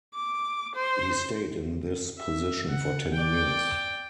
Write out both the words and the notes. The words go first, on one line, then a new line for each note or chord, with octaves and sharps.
He stayed in this position for ten years.
D6
C5
E5
F#5
D5 G5